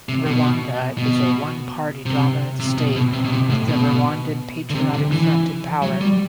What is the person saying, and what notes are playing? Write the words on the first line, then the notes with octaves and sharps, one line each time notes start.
Rwanda is a one-party-dominant state with the Rwandan Patriotic Front in power.
C3
B2
B2
C3
C3
B2
B2
C3
B2
C3
A2
B2
D3
C3
D3
E3
F#3
G3